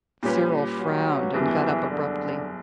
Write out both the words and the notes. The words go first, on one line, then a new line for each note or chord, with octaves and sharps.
Cyril frowned, and got up abruptly.
A#2 G3 C#4 G4 B4
F#3
F#1 E2 B2 E3 G3
D3